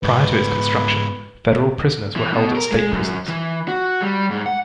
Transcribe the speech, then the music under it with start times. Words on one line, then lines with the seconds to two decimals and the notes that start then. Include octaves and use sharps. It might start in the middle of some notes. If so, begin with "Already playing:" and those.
Prior to its construction, federal prisoners were held at state prisons.
0.03 G#2 B3 B4
2.16 E3
2.33 B2
2.56 A#4
2.71 G#3
2.91 F#2
3.28 E3
3.68 F#4
4.02 G3
4.31 G#2
4.46 F#5